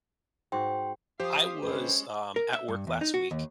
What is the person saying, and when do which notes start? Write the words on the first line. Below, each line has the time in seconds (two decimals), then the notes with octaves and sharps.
I was, um, at work last week,
0.52 G#2 F#4 G5 C6
1.20 F3 G4 C5 F5 D#6
1.63 D3 G#3 C#4 B4
2.36 A#4
2.54 E5
2.68 G2
2.87 E2
3.01 D#4
3.14 F#4
3.31 D#2